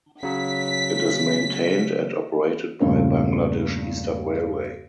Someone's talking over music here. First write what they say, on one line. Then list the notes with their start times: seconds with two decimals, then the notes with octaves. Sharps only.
It is maintained and operated by Bangladesh Eastern Railway.
0.23 C#3 F#3 B6
2.80 E2 G2 A#2 C#3 A3 C4